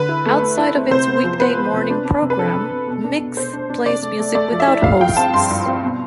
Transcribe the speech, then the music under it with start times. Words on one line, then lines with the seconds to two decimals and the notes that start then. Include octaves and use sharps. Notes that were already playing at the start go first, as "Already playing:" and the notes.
Outside of its weekday morning programme, Mix plays music without hosts.
Already playing: D3 B4
0.09 E4
0.26 A3
0.41 A3
0.58 E4
0.75 C4
0.91 C3 C5
1.08 B3
1.24 F3
1.40 B3 B4
1.57 B3
1.74 C3
1.90 D4
2.05 D4
2.22 C3
2.30 B4
2.38 D4 A4
2.55 D4
2.71 C3
2.88 B2
3.04 D4
3.20 B2
3.37 B2 C5
3.53 D4
3.70 D4
3.86 C3 D5
4.02 A3
4.19 A3
4.35 A3 D5
4.52 F3
4.60 E5
4.67 E4
4.84 G2 F5
5.00 F3 G5
5.17 C4 A5
5.33 G2 C6
5.50 G2
5.66 C4
5.83 B2